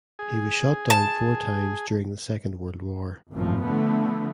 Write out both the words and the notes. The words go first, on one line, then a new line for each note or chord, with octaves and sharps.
He was shot down four times during the Second World War.
G#4
A5
G#1 F#2 A2 F3
D3 F3 A3 B3